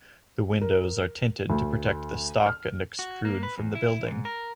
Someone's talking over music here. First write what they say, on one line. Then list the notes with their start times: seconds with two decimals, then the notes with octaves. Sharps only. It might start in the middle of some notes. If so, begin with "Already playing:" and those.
The windows are tinted to protect the stock and extrude from the building.
0.62 A#4
1.50 D2
2.46 F6
2.99 F#4
3.25 A#3
3.43 B4
3.58 E2
3.75 E4
4.07 G#2
4.25 A#4